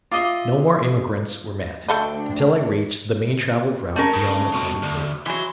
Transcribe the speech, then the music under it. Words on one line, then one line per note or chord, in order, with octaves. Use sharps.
No more immigrants were met until I reached the main-traveled route beyond the Columbia River.
F4 D#5 E5 D6 D#6 C7
D2 A3 D4 A4 D#5 G5
A3 C#4 A#4
C#3
C2 B2
D2
E3 F#3 C6